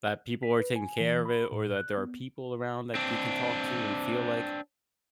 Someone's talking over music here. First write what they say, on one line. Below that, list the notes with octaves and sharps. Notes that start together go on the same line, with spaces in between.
that people are taking care of it or that there are people around that you can talk to and feel like
B6
B4
G#5
E3
B5
A2
F#6
B3
C4 D4